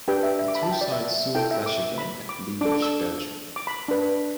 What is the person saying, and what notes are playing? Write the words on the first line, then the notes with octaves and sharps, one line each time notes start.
The two sides soon clash again at Liege, Belgium.
D4 G4 B4 G5
E5
E5
D6
B5
A5
G5
D5
E5
E4 A4 G5
E5
D6
B5
D6
D4 A4 D6
D6
E6
D6
B5
D4 B4